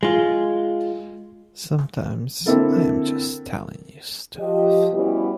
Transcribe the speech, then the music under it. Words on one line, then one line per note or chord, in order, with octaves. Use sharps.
Sometimes I am just telling you stuff.
G#3 F4
D3 A#3 C4 E4 A4 A#4
F3 G4 D#5
G3 B3 C#4 E4 F#4 G4